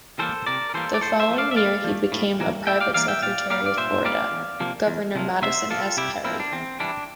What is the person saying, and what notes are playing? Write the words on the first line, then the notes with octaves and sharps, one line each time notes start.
The following year, he became a private secretary of Florida Governor Madison S. Perry.
E3 G3 A#3 A4 C5
C3 A#4 D5
A#4
E3 G3 A#3 A4 C5
D5
A2 A4 C5
C5 E5
F3 A3
D5 F5
E5
A2 D5 F5
F3 A3
A2
E3 A#3
A2 E5 G5
D5 F5
E3 A#3 D5 F5
E5 G5
A#2 D5 F5
G3 A#3 D5 F5
D5
A#2 C5 E5
G3 A#3 D5 F5
E2
C3 F3 A#3
E2
C3 F3 A#3
C3 C5 E5
F3 A#3 F4 A4
C3 E4 G4
F3 A#3 C4 E4
D4
E2 C4
E3 G3 D4